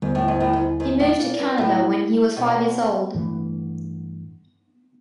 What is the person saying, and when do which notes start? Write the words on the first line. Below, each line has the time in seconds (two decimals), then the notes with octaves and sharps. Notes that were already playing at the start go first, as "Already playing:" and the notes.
He moved to Canada when he was five years old.
0.02 D#2 G#2 D3 G3 B3
0.15 A2
0.28 G#2
0.40 A2
0.53 G#2
0.80 G#2
1.00 A2
1.19 A#2
1.39 G2
1.58 A2
2.36 B2
3.14 G2 E3 A3